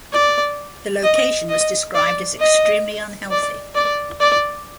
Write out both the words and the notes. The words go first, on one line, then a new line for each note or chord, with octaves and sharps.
The location was described as extremely unhealthy.
D5
D#5
D#5
D5
D#5
D5
D5
D5